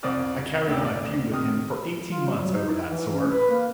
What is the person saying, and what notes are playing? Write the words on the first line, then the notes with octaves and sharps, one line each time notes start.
I carried on a feud with him for eighteen months over that sword.
C2 F2 C4 D5 D#6 F6
D2 G2 G3 G4 E6
D5
D2
C3 D#3 D#6 F6
F4
G3
F#3
D#4
E4
E3
C#4
B4
A#3